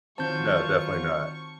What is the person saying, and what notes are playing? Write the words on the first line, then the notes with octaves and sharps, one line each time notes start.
no, definitely not,
D#3 F#3 C4 F4 C5 A5 C#6 G6